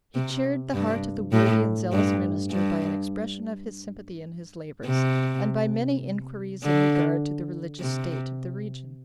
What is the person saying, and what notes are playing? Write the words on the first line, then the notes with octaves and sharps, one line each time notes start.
He cheered the heart of the worthy and zealous minister by an expression of his sympathy in his labors, and by many inquiries in regard to the religious state of the region.
C3
G2
A2
G2
G2
C3
D3
C3